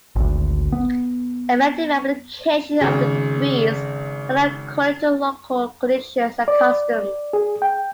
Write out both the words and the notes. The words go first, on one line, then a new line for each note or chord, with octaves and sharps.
Effective application of the decrees varied according to local conditions and customs.
G#1 D2
B3
G#1 C#3
D5
G#4
G5